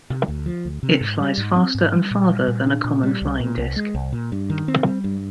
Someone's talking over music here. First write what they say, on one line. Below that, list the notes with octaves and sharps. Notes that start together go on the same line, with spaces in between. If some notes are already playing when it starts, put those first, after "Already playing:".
It flies faster and farther than a common flying disc.
C3
D2
F3
D2
C3
G#2
G3
G#2
C4
G#2
G3
A#2
G3
A#2
D4
A#2
G3
C2
A#2
C2
G#3
C2
A#2
G2
D#3
C4
G3
G2